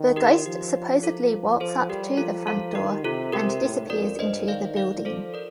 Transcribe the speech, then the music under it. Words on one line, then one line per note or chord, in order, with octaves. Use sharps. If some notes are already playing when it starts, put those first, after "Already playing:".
The ghost supposedly walks up to the front door and disappears into the building.
Already playing: D#3
G4 A#4
F3 G4
F4 A4
F3 A4 C5
G3 G4 A#4
F3 F4 A4
F3 F4 A4
D#3 G4
C3 F4 A4
C3 G4 A#4
A2
F2 A#4 D5
G2 C5 D#5
D#3 D5 F5
D5 F5
F3 A4 C5
A#4 D5